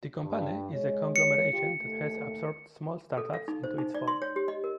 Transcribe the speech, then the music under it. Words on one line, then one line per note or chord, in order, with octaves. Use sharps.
The company is a conglomeration that has absorbed small startups into its fold.
G2
G#3 C#5
C#7
F4 G4
D#2 A3
A4
F5
D#4
C5
D#4
D5
C6
C#5
G4
D#5
A#4